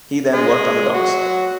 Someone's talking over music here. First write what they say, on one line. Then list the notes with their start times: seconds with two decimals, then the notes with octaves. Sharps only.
He then worked on the docks.
0.33 G#3 G#4
0.92 F#3 F#4